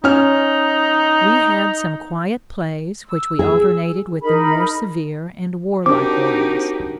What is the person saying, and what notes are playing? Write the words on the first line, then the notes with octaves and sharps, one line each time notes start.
We had some quiet plays which we alternated with the more severe and warlike ones.
C#4 D#4 F6
E6
G#4
D#4 A#4 B5
C4 D4 D#4 F#4 G4 A#4 D6